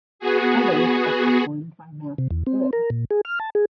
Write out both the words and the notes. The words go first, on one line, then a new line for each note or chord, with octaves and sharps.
Others are performed by Matthew Good.
B3 F#4 G#4
C3
E2
C4
A#4
A#2
G#4
F6
A5
G#4